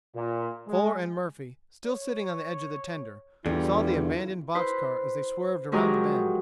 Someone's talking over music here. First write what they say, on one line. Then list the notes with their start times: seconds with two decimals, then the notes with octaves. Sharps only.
Fuller and Murphy, still sitting on the edge of the tender, saw the abandoned box-car as they swerved around the bend.
0.16 A#2
0.67 G#3
1.86 C#5
3.46 E2 D3 G3 E4 F4
4.55 E4 B4 C5
5.72 F3 F#3 G#3 G4 G#4 A#4